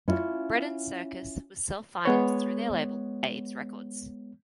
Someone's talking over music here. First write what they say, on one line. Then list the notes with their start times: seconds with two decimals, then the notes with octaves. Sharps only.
"Bread and Circus" was self-financed through their label, Abe's Records.
0.08 C#4 E4 F4
2.05 G#3 B3 C#5